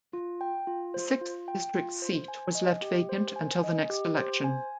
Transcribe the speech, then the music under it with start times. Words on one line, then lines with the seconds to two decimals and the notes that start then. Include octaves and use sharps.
The sixth district seat was left vacant until the next election.
0.13 F4
0.41 G5
0.67 F4
0.94 C5
1.21 F4
1.48 G5
1.75 F4
2.02 C5
2.28 G#5
2.55 D#5
2.82 G4
3.09 C5
3.36 G#5
3.64 D#5
3.90 G4
4.17 C5
4.44 G#5